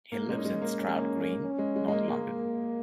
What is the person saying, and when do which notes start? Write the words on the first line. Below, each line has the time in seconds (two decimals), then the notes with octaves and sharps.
He lives in Stroud Green, North London.
0.12 A#3
0.29 G#3 C#4
0.38 D#4
0.45 G#3 C#4
0.62 A#3
0.77 C#4
0.88 G#3
0.99 A#3
1.20 A#3
1.42 C#4
1.59 G#3
1.76 G#3
1.88 G#3
1.92 A#3
2.08 G#3 A#3